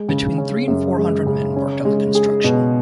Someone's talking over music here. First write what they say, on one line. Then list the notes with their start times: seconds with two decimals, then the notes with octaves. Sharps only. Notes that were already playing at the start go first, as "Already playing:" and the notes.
Between three and four hundred men worked on the construction.
Already playing: G#3
0.09 C#3
0.38 C#4
0.68 F#2
0.97 G#3
1.26 C#3
1.56 C#4
1.85 G#3
2.15 G#4
2.44 B2